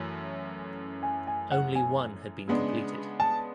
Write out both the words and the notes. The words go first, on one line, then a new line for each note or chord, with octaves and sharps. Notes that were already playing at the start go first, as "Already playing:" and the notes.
Only one had been completed.
Already playing: F#2 E3 A3 C#4
G#5
G#5
F#5
G#5
C#3 G#3 B3 D4
A5